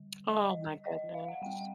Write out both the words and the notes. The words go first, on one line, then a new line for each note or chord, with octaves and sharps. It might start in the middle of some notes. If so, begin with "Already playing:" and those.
Oh, my goodness.
Already playing: D3 G3
D#5
D#5
F5
F#5
G3 C4 G5